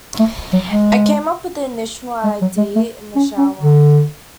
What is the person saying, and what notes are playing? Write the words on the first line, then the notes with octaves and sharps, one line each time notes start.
I came up with the initial idea it in the shower.
A3
F#3
G#3
G#3
F#3
G#3
A3
C#4
C#4
D3